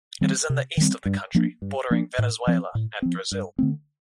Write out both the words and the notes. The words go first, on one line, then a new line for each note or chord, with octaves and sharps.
It is in the east of the country, bordering Venezuela and Brazil.
D#3 G3 C4
C3
D#3 G3 C4
G2
F3 A#3 D4
G2
F3 A#3 D4
A2
F3 C4
A2
F3 C4
G2
D3 A3 C4